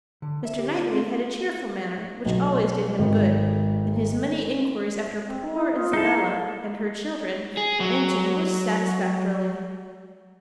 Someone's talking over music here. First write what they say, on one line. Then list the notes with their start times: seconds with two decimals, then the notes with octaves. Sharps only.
Mr. Knightley had a cheerful manner, which always did him good; and his many inquiries after "poor Isabella" and her children were answered most satisfactorily.
0.22 D3
0.45 E5
0.59 G4
0.76 F4
0.92 C4
2.26 B1
2.99 G#1
5.26 C4
5.54 E4
5.74 F4 C#5 D#6
5.93 D#4 E4 G#4 A4 A#5 C7
7.57 G#4
7.80 F#3